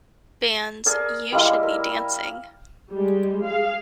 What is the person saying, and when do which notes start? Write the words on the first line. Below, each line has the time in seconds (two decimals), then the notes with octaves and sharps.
Band's "You Should Be Dancing".
0.86 G#4 A#4 D5
1.32 G3 G#3 A#3 E4
1.63 A#4
2.90 G3 G#3
3.44 G#4 F5